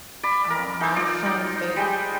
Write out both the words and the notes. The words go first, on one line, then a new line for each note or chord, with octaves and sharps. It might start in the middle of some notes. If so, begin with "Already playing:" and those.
Um, my sons, they
D5 B5
A#4
D#4 C5
F4 D5
D#4
G3 G#3 G5